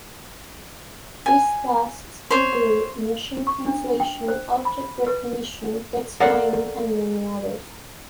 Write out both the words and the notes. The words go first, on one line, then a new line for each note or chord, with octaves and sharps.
These tasks include machine translation, object recognition, text mining and many others.
G#5
C5 C#5
C#6
D4
G5
C5
B5
B4
A4 A#4 C5 D5 F5 F#5